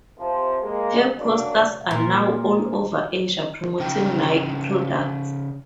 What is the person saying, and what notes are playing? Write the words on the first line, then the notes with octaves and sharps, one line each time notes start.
Her posters are now all over Asia promoting Nike products.
C3 F3
G#3 A#3
F#2 C#3 F#3 A#3 D4
A#2
C#3 D#4 G5